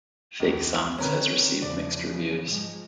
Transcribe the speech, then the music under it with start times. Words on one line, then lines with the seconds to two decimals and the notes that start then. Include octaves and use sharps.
"Fake Songs" has received mixed reviews.
0.40 E1 C#2
0.98 D3 D#3 C4 C#4 A#4 B4
1.62 E2 C#3 F3 D5
2.44 G#2 F3 G#3